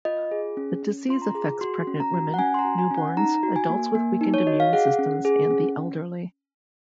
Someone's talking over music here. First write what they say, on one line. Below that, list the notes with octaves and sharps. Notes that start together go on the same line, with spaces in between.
The disease affects pregnant women, newborns, adults with weakened immune systems, and the elderly.
F4 D#5
G#4
C#4
C#4
F4 C6
A#5
G#4
F#4 C6
C#4
A#5
F#4
F#5
C#4 G#5
C6
A#5
F#4
G#5
C#4
F#5
D#4 A#5
F#4
G#5
A#3
A#3
D#4
C#5
F#4 D#5
F5
G#4 F#5
C#4
G#4
C#4